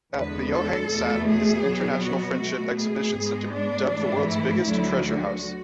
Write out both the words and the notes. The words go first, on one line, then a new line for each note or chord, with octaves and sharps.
At Myohyang-san is the International Friendship Exhibition centre, dubbed the world's biggest treasure-house.
E2 D3 G#3 B3 B4
A4
E2 B2 A3
G#4
B2 F#3 B3
F#4
B2 A3
G#4
G#2 G#3 B3
D4
G#2 E3 A3
E4
D2 D3 F#3 A3
F#4